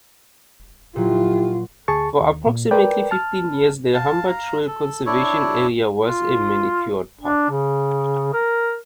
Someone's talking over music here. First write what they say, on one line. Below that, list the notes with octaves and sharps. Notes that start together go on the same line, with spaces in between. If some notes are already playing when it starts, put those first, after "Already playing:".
For approximately fifteen years the Humber Trails Conservation Area was a manicured Park.
A#2 F#3 E4 F4 G4
D2 G#4 A5 C#6
D#2
A#2
A#4 B4 D5 G5
A5 F6
F5 A5
F5 A#5
A4
D4 E4 C#5
F4
D4
C#3
A#4